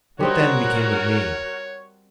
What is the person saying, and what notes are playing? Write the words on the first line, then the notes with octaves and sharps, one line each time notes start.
What then became of me?
G3 C4 D#4 F#4 A#4 C#5